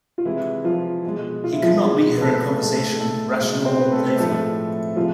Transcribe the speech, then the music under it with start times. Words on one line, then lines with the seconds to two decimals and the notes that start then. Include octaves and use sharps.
He could not meet her in conversation, rational or playful.
0.18 F4
0.25 C3 E3 G#3 E4
0.64 F3 F4
1.04 B2 G#3
1.44 F4
1.52 E4
1.63 F3 F4
1.82 B2 G#3 G#4
2.17 B4
2.21 A3 A4
2.41 A3 A4
2.61 A2 G#3 A3 A4
3.00 A3 A4
3.40 B2 G#3
3.65 C4 C5
3.80 B4
3.92 A3 A4
4.18 A2 F3 G#3 A3 A4
4.96 C3 F3 G#3 F4